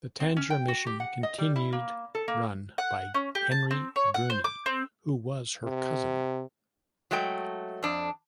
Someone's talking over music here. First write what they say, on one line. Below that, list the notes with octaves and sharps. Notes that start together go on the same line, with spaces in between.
The Tangier mission continued run by Henry Gurney who was her cousin.
C4
C#4
G5
F#4
G4
F#5
D#5
G3
E4
A#3
A4
A#3
F#5
C#4
G4
A5
C4
C#5
F#5
C5
D6
C4
C3
F#3 G#3 A3 G5
F2 D4